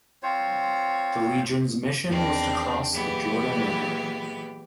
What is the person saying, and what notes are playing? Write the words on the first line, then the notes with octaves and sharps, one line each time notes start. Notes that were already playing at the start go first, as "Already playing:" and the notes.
The Legion's mission was to cross the Jordan River.
C4 F4 C5 C#5
E2 D#3 C4 D4
A#2 E3 F#3 G#3 B3 G4